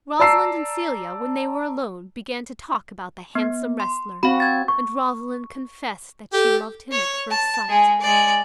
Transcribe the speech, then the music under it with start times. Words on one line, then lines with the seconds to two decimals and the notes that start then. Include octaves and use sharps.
Rosalind and Celia, when they were alone, began to talk about the handsome wrestler, and Rosalind confessed that she loved him at first sight.
0.20 D5 A5 A#5 E6 C7
3.35 B3
3.80 C6
4.23 C4 F#4 F5 B5
4.40 G#6 A6
4.68 C#6
6.33 G4 A4
6.91 C#5
7.30 A5
7.69 G#3 G#4
8.01 G#3 D5